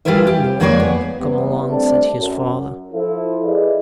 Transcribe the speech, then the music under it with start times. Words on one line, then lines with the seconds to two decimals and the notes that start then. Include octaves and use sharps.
"Come along, come along!" said his father.
0.05 G3 F4 G#4 A#4 B4 E5
0.27 G4
0.60 F2 G#3 A#3 G#4 C#5 D5
0.80 B3
1.19 C3 E3 G3 B3
1.70 G3 A3 C4 D4 D5 A5
2.15 F#2
2.92 F3 E4 A4
3.43 E4 G#4 B4 D5 D#5